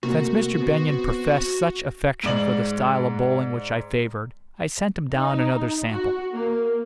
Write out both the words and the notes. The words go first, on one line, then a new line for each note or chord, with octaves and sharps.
Since Mr. Benyon professed such affection for the style of bowling which I favoured, I sent him down another sample.
C3 A3 A#3 F#4
B3 C4
G#2 G#3 D5 F#7
D#4
F#4
A#3